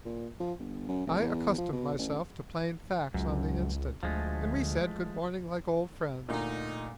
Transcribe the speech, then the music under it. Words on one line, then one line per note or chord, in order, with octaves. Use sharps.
I accustomed myself to plain facts on the instant, and we said good-morning like old friends.
A#2
F3
G1
F#2
F1
E2
F3
B2
A1
C#2 F#2
D2 F3 G#3 A3
D2 A#2 D#4